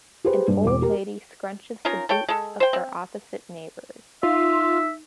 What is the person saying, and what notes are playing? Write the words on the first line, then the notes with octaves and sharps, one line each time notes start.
An old lady scrunches the boots of her opposite neighbors.
G4 G#4 B4 C5
G2
E1 D6
G4 A#4
C#4 D#4 F4 A#4
A4 C#5 G5
G#3 A4
C5 G5
C4
D#4 F4 E5